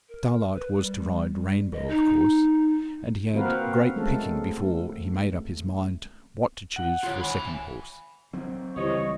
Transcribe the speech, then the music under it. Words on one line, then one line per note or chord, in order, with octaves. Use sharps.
Starlight was to ride Rainbow, of course, and he had great picking before he made up his mind what to choose for second horse.
A#4
B4
G3
D#5
D#4
A#3 C4 F#4 A#4 B4 F5
G#3 A3 C#4 A4
F#5
F4 C#5
G#5 B5
F#3 C4
C#2 E3 G3 C4 C#5 D#5